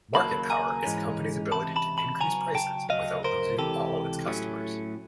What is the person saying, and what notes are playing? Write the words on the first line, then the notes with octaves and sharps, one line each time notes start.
Market power is a company’s ability to increase prices without losing all its customers.
D#2 C#3 F#3 A#3 A5 B5
G#5 A#5
G#2 E3 G#3 C#4
C#2 C3 E3 A5 B5
A5 B5
A5 B5
C#3 F#3 B3 G#5 A#5
G5 A5
D2 C#3 F#3 D#5 F5
A#4 C5
C#2 C3 E3 G4 A4
A2 F#3 A3 C#4